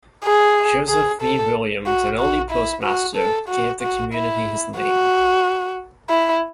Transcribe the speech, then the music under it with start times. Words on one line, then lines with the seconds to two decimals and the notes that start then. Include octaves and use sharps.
Joseph V. Williams, an early postmaster, gave the community his name.
0.24 G#4
0.88 G#4
1.22 A4
1.86 F#4
2.19 F#4
2.51 E4
2.83 F#4
3.16 A4
3.49 F#4
3.81 F#4
4.14 E4
4.78 F#4
6.09 E4